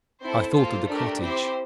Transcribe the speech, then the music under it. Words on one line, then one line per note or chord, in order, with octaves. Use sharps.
I thought of the cottage.
C4 E4 A4 C5
A#3 F4 A4 C5
A3 D4 G4 A#4
C4 E4 G4 C5